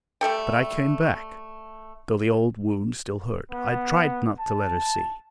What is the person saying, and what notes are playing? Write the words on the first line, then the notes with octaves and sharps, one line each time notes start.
But I came back. Though the old wound still hurt, I tried not to let her see.
G3 A3 A4 G5
B3
A5